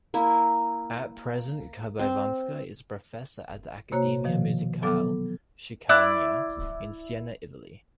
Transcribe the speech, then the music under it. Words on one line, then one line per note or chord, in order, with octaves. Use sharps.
At present, Kabaivanska is a professor at the Accademia Musicale Chigiana, in Siena, Italy.
A#3 E4
C4
C3 A#3 F#4 C#5 A#5
B2 D#3 F3
F#3 B3 A4 D6
E4 D5 F#6